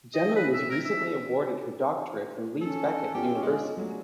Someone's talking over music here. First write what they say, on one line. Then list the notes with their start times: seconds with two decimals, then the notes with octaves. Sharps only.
Gemma was recently awarded her doctorate from Leeds Beckett University.
0.14 D#5
0.36 B4
0.53 E5
0.70 A#4
0.84 E5
2.61 C#4 A4
3.15 B3 F4 G4 A4
3.43 G#3
3.77 F#3 G3 A3